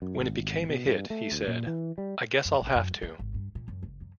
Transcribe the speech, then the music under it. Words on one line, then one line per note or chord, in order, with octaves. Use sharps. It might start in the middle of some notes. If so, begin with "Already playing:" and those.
When it became a hit, he said: 'I guess I'll have to.
F#2
G#1
B2
G2
A3
D2
A#2
E3
G3
F#2
A1
F#2
G3
A#3
G#1
G2
A#2
F#2
F#1
F#2